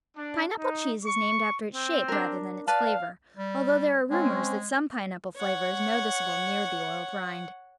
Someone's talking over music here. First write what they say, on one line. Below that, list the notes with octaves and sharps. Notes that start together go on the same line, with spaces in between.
Pineapple cheese is named after its shape rather than its flavor, although there are rumors that some pineapple flavor is noticeable near the oiled rind.
D4
D#4
C#6
C4
D4 A#4
B4 D5 F5 A5
G3
G#3 C4 C#4
C#5 F#5